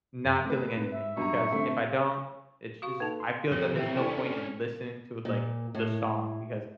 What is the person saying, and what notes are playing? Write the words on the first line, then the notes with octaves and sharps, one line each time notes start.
not feeling anything, because if I don't, it's just I feel that there's no point in listening to it, like, the song, because
F#2
C3 A3 B4
G#2
E5
G2 B2 F#3 A#5 C#6
D3 A3 C4
F#4 F5 C#6
A#3 D#4 A4 B4 A5
G#5 C6
F3 C4 A4 C#5
E3 C4 G4 C5 E5 G5
C#4 D4 E4 A4 D5 G5 G#5
A#2
A2